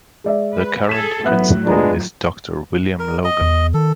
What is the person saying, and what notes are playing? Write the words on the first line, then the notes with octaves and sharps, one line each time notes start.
The current Principal is Doctor William Logan.
G#3 D5 E5
B4
G#4 A4 B6 E7
A1 A2 F#3 B3 E5 F#6
G#3 B3 D4 F4 A#5
A#4
D#5
E2
D#3 A4